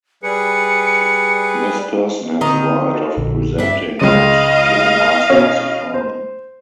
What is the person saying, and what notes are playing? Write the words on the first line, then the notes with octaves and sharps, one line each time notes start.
This person had the right of presenting it to the master of the farm.
G3 G#4 B4 C#7
D3 D#3 A#3 C4 D#5 A#5
F#4 A4
A#1 D3
G2 D4 E5
C#2 C#3 D#5 F5 D#7
B2 C#4
C5